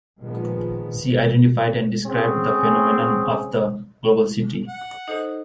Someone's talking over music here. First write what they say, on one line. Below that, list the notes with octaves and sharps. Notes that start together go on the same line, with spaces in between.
She identified and described the phenomenon of the "global city".
A#2 D#3 F3 G#3 B3
C4 C#4 F#4 G#4
F#5
D#4 A4 C5 D#5